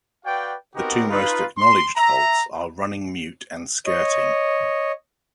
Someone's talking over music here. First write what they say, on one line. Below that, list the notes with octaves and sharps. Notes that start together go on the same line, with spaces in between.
The two most acknowledged faults are running mute and skirting.
F#4 B4 D5 F5 G5
B3 C4 D#4 F#4 G4 A#4
D#4 F4 B4
C6
E5 A#5
C#5 D#5